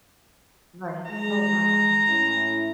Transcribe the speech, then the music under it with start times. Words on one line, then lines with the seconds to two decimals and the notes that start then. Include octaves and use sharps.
Right. Oh, wow.
1.10 G#3 A#5
2.08 A2 C#4 E4